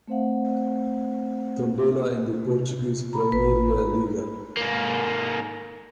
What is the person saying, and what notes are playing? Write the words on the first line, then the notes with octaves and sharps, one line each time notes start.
Tondela in the Portuguese Primeira Liga.
A3 C4 C5 F5 F#5
C3
A#5 B5
A1 B4
G#2 A#3